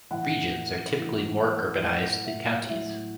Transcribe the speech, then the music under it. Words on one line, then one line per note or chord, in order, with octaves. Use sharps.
Regions are typically more urbanized than counties.
A2 E3 F#5
A2 E3
A2 F#3 F#5
E5
A2 F#3 E5